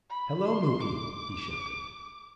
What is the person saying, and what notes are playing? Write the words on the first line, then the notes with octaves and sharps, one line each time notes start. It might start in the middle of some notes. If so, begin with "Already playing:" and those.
"Hello, Muky!" he shouted.
B5
C6
D6